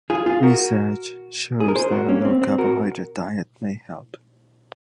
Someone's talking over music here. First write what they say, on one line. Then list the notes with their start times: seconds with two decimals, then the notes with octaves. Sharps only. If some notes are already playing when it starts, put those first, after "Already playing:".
Research shows that a low-carbohydrate diet may help.
0.10 F4 G#4
0.26 F4 G#4
0.43 F#4 A#4
1.60 G#4
1.68 A#4
1.76 G#4 C5
1.91 F#4 A#4
2.08 A#3 C#4
2.25 C4
2.42 C4
2.58 F#4 A#4